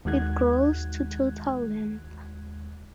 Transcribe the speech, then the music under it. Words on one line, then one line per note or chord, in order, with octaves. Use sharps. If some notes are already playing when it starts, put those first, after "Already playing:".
It grows to total length.
D#2 D#3 G#3 F#4 F#6 G#6